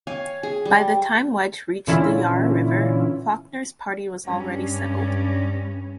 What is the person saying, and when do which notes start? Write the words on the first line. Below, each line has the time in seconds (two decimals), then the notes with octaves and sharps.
By the time Wedge reached the Yarra River, Fawkner's party was already settled.
0.07 C#5 F5 G#5
0.43 G#4
0.65 G3
1.87 A#2 D3 E3 C#4 E4 F4
4.25 G2 C#4